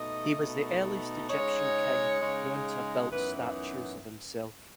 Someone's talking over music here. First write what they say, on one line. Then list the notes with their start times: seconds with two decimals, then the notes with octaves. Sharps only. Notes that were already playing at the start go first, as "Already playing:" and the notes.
He was the earliest Egyptian king known to have built statues of himself.
Already playing: B2 A3 D#4 D#5
0.38 B2 A3 D#4
1.29 C#3 G#3 D#4 C#5
2.20 C#3 G#3 D#4
3.10 F#2 E3 B3 D#4 B4